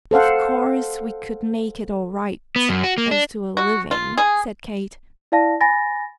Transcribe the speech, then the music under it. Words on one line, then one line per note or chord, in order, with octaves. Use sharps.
"Of course we could make it all right, as to a living," said Kate.
A4 C5 F5 F#5
B3
F#2
F#4
A#3
D4
F#4
F4
G#4
E4 D5 F5 A5 A#6
G#5 B5 A6 A#6